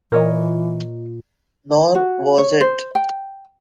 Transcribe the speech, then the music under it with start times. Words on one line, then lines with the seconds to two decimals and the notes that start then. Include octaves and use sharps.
Nor was it.
0.12 A#2 E3 A#4 C#5 D#5
1.95 F#4
2.38 C#5
2.60 C5
2.95 G5